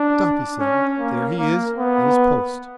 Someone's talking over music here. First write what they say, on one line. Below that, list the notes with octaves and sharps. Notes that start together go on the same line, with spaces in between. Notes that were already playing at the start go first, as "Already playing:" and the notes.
"Stop!" he said, "there he is at his post."
Already playing: D4
C#4
A#3
A#3
B3